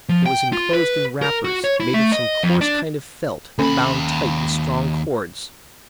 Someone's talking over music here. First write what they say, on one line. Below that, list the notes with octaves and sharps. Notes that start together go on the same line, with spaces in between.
It was enclosed in wrappers made of some coarse kind of felt, bound tight with strong cords.
F3
G5
F4
B4
A#4
F#4
C#5
E4
A3
D#5
F2
D4
D#2 A#3 C#4 A4 B5